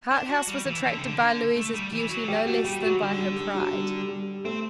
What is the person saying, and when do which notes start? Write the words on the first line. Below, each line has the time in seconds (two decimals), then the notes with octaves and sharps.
Harthouse was attracted by Louisa's beauty no less than by her pride.
0.11 D4
0.29 F#4
0.48 G3
0.66 E3
0.83 E3
0.91 D3
0.98 C3
1.05 D3
1.56 A3
1.74 G3
1.93 E3
2.09 F#3
2.23 A3
2.28 G3 G4
2.46 A3 F#4
2.64 G3 G4
2.82 F#3 F#4
3.00 D3 G3
3.18 G3
3.36 G3
3.55 F#3
3.73 G3
4.08 G3
4.45 A3 C4